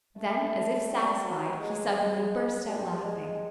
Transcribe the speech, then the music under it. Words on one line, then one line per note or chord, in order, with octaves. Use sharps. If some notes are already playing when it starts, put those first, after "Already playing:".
Then, as if satisfied, he suddenly burst out laughing.
A3
G3
F#3
G#3
G#3
G3
G#3